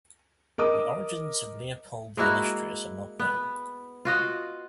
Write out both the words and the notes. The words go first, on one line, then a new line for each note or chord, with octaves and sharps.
The origins of Leopold the Illustrious are not known.
A#4 D#5 D6 D#6
G#3 A#3 E4 F#4
B3
F4 F#4 D#5 F5